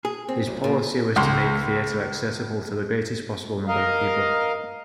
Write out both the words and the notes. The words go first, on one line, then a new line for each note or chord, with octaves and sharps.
His policy was to make theatre accessible to the greatest possible number of people.
G#4
C4
B1
A#2
C#2 C6
A#4 D#5 F5